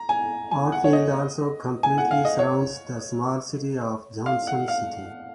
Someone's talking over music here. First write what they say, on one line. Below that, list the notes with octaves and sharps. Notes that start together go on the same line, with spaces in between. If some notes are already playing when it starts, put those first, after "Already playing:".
Oatfield also completely surrounds the small city of Johnson City.
Already playing: A#5
G#5
G#5
F#5
C#5
D#5
G#5
F#5
F5
D#5
C#5
F5
F#5
F5